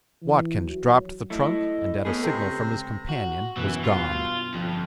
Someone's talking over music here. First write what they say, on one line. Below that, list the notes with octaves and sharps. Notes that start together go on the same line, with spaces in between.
Watkins dropped the trunk and at a signal from his companion was gone.
E3
F#3
A3 E4 D#5
A2 B3 G#4 A4
C#2 C3 A#6
F#4
F#2 B2 E3
G2 F4
G1 F2